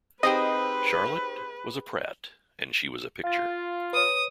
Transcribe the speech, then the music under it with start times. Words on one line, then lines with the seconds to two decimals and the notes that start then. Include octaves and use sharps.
Charlotte... was a Pratt; and she was a picture.
0.23 C4 D#4 G4 G#4 B4 C5 D#5 G5
3.24 F4 F5 A6
3.93 B4 C#5 D#6